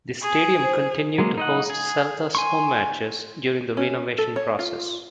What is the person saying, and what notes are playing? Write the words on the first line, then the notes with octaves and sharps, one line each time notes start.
The stadium continued to host Celta's home matches during the renovation process.
G#4
C5
F#3 G#3 A#3
D#4 D#5 F#5
G#4
G#5 C6 C#6
C#4
A4
C#5
F4